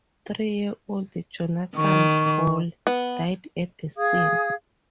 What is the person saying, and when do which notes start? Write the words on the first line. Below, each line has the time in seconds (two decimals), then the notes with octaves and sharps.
Three-year-old Johnathan Ball died at the scene.
1.76 D#3 C#6
2.87 B3
3.98 G#4 F5 D#6 G#6